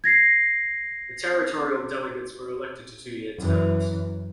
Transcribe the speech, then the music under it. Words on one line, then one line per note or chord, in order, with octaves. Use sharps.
The territorial delegates were elected to two-year terms.
G#6 A#6 C7
F#2 E3